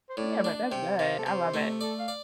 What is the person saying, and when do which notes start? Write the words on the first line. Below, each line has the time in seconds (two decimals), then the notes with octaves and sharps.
Yeah, but that's good, I love it.
0.09 C5
0.17 A2 D5
0.44 D4
0.71 C3 G5
0.99 C3 F5
1.19 A4
1.26 C3 C5
1.54 A3
1.81 A4 D5
1.99 F5
2.08 D5